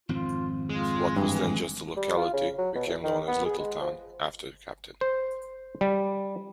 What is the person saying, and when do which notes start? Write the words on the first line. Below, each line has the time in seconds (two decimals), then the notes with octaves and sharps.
What was then just a locality became known as Lyttleton after the Captain.
0.09 G#1 F2 C4 F4
0.70 G#3 F4
1.17 G2 E3
1.97 G3
2.17 F4
2.33 C#3
2.58 F#3
2.75 B2
2.87 E2
3.03 D#3
3.27 B3
3.46 G#4
3.59 G#3
3.81 F3
5.01 C5
5.81 G3